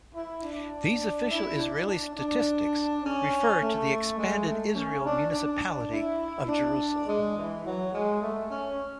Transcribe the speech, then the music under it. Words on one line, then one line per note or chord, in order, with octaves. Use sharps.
These official Israeli statistics refer to the expanded Israel municipality of Jerusalem.
E4
D4
E4
D4
D4
D4
C#4
A3
G#3
A3
C#4
D4
D4
E4
D4
G#3
E3
F#3
G#3
A3
C#4